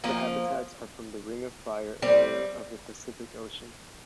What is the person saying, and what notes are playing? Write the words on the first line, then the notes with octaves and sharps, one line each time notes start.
The habitats are from the Ring of Fire area of the Pacific Ocean.
F3 A#3
G3 C4